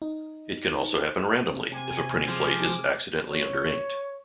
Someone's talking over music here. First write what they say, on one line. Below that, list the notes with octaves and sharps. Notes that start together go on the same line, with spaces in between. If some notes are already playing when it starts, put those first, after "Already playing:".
It can also happen randomly, if a printing plate is accidentally under-inked.
D#4
C3 G#5
F3 G#3 D6
C#5